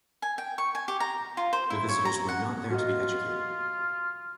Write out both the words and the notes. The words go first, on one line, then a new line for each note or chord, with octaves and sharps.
The visitors were not there to be educated.
G#5
G5
C#6
G#5
G4
A#5
F4
C5
E4
C#5
A#5
F#5
F4 F#4 D#5